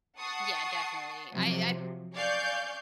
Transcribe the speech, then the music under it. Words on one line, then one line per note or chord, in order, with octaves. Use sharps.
Yeah, definitely. I I
F#5 A5 C#6 D#6 C7
C3 F3 F#3
D5 F5 G#5 C#6 G6